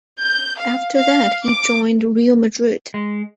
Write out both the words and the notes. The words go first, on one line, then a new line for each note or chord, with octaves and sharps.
After that, he joined Real Madrid.
G6
F5
F5
D6
G#3